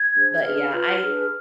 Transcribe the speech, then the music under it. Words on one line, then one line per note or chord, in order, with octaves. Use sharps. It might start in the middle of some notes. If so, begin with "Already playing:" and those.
Mm, but yeah, I
Already playing: G#6
D4 G#4 C5
G#6
D4 G#4 B4 F6
F4 B4
D4 G#4 B4